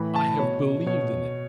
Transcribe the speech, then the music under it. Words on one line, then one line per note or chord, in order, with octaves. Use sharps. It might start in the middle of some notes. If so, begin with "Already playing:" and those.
I have believed in it.
Already playing: A2 E3 B5
A5
B2 C#5
B2 C#5